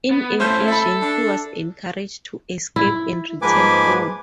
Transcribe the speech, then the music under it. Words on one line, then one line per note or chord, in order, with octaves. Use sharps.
In a vision he was encouraged to escape and return home.
B3
A3 C#4 E4 C5 G6
A4 E5 B5
D4
E4
G#2 F3 A#3 B4 G#5 D6